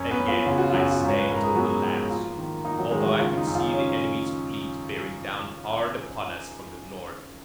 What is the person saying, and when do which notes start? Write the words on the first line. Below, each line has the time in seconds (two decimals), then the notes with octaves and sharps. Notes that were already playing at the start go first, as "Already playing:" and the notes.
Again I stayed till the last, although I could see the enemy's fleet bearing down hard upon us from the north.
Already playing: F#2 C#4 C#5
0.11 B3 B4
0.20 F#2
0.28 F4
0.46 C#3 F4
0.58 F#4
0.69 F#2 F4
0.80 F#4
0.91 F4
1.01 G#2
1.08 C#5
1.19 B4
1.29 G#2 A#4
1.43 G#4
1.56 F#3 B3 F#4
1.82 F3
2.10 A#3 F4
2.38 D#3
2.65 A#3 D#4
2.79 F#3 F#4
2.92 D#3 G#3 G#4
3.05 F#3 F#4
3.19 C#3 F4
3.38 D#4
3.47 F#2
3.55 F4
3.74 C#4